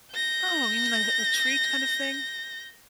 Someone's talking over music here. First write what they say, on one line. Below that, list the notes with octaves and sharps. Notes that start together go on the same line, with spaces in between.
Oh, you mean like a a treat kind of thing?
G6 A#6